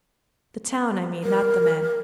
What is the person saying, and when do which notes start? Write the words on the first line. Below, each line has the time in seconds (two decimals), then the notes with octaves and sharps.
The town, I mean; not the men.
1.24 A#4